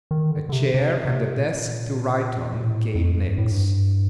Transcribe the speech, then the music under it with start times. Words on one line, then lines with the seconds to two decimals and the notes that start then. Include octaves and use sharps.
A chair, and a desk to write on, came next.
0.11 D#3
0.31 D3
0.49 D3
0.52 C3
0.74 C3
1.05 C3
1.37 A#2
2.63 A2
2.95 F2
3.27 G2
3.38 A2
3.51 G2